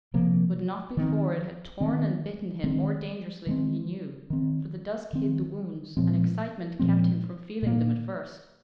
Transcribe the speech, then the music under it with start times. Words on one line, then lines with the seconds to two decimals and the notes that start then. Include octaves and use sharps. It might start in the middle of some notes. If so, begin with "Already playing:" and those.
But not before it had torn and bitten him more dangerously than he knew; for the dusk hid the wounds, and excitement kept him from feeling them at first.
0.14 C3 F3 A#3
0.97 D#3 C4
1.80 D#3 C4
2.64 D#3 G#3 C4
3.47 D#3 G#3 C4
4.30 D#3 C4
5.13 D#3 C4
5.97 A#2 F3 G#3 C4
6.79 A#2 F3 G#3 C4
7.62 A#2 A#3